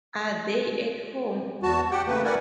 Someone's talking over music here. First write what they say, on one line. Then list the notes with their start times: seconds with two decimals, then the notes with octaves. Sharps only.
Are they at home?
1.63 E2 F#4 A5
1.91 G4 F#5 G5
2.07 C#3 A3 A#3 B4
2.24 E4 A#4 B4 D5 F#5 G#5